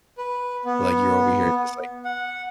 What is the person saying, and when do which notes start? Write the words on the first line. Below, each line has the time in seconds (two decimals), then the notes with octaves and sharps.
Like, you're over here just, like,
0.18 B4
0.65 B3
2.05 F#5